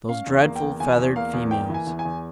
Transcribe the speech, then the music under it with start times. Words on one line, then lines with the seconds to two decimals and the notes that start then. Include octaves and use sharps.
Those dreadful feathered females!
0.08 C#4 F5
0.26 E2
0.33 F5
0.44 A#3
0.56 G5
0.62 E2
0.80 E2 G#5
0.98 E2
1.16 A#3 F5
1.33 E2
1.51 A#3 G5
1.69 E3
1.74 G#5
1.87 E2
1.99 G#5
2.05 E2